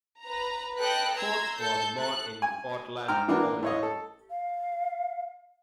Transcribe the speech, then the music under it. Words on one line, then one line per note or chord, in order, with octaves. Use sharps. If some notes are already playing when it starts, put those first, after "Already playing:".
Forte was born in Portland, Oregon.
B4 A#5
A4 B4 D#5 G5 F#6
A#5 C6 E6 G#6
A4 G6
A4 F#6
G#5
G#2 G5 A#5 F6
E3 A#3 D4 F#4 A#4 B4
A2 C#5 D#5
A4
F5